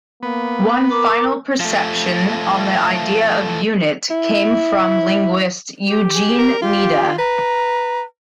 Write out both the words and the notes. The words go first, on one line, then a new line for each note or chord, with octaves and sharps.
One final perception on the idea of "unit" came from linguist Eugene Nida.
A#3 B3
A#4 D6
F3 A3
E4
G4
G#4
A#4
F4 G4
B4 A#5